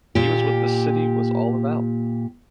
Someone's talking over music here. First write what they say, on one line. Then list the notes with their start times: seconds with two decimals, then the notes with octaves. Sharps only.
He was what the city was all about.
0.15 A#2 G4